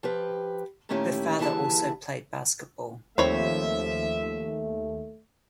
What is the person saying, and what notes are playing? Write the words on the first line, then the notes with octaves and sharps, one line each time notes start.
Her father also played basketball.
F3 G4 B4
A#2 D#3 A3 C#4 E4 G4
D#2 D3 E3 E4 G#4 A5
D#2 F3 A3 C4 C#5 E5 B5